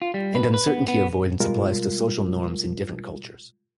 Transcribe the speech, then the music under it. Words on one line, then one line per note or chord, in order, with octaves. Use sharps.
And uncertainty avoidance applies to social norms in different cultures.
F4
G3
B4
B4
B3
B3
B2 G3 G#3 F4 A#4